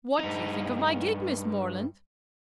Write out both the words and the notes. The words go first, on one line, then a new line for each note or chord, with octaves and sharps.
What do you think of my gig, Miss Morland?
G2 D#4